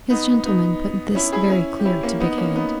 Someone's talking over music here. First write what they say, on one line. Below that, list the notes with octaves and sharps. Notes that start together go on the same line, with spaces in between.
His gentlemen put this very clear to Big Hand.
B3 D#4
B3 D#4
C#4 E4
E4 G#4
C#4 E4
G4
C#4 E4
A#3 C#4
B3 D#4
A#3 C#4
B3 D#4